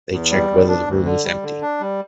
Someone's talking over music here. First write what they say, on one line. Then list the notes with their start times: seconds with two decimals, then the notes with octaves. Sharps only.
They checked whether the room was empty.
0.12 E2
0.31 G3
0.50 E2
0.69 D4
0.87 D2
1.05 D3
1.24 G3
1.43 D3
1.62 D4
1.81 G3